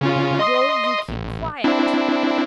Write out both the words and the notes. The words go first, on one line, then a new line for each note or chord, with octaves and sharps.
"Will you keep quiet?"
C#3 C#4 F4
D#5 C6 D#6
A1
C4 D4 E4